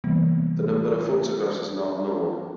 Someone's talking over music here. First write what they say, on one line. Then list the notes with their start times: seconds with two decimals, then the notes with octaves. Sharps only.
The number of photographs is not known.
0.04 C3 E3 G3 A#3 B3